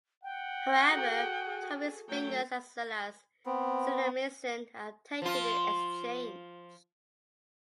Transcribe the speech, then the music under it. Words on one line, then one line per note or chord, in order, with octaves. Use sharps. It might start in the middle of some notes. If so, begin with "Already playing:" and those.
However, two of his fingers, as well as Cinnaminson, are taken in exchange.
F#5 G5
F#4 G#4 A4
F#3 A3 G5
B3 C4
F3 F4